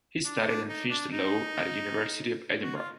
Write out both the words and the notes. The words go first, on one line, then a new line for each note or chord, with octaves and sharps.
He studied and finished law at University of Edinburgh.
D4
D4
D#4
D4
D#4
F#4
F4